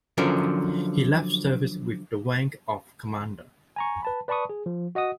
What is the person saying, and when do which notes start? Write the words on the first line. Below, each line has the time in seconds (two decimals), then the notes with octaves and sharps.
He left service with the rank of commander.
0.18 D3 F3 F#3 C#4 A#4
3.76 G#5 A#5 C#6
4.02 B4 A5 B5
4.28 B4 D5 A5 B5 C#6 D#6
4.50 G#4
4.66 F3
4.95 F#4 D#5 F#5 D#6